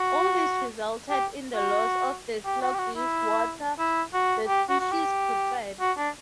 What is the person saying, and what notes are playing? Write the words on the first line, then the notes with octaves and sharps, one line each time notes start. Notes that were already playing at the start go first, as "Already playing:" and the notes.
All this resulted in the loss of the sluggish water the species preferred.
Already playing: F#4
G4
F#4
G4
F#4
G4
F#4
E4
E4
F#4
G4
F#4
F#4
G4
F#4
D4